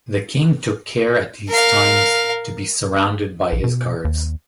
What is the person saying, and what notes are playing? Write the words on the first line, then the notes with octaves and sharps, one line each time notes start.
The king took care at these times to be surrounded by his guards.
A#4 F5
A#1
B2
D#2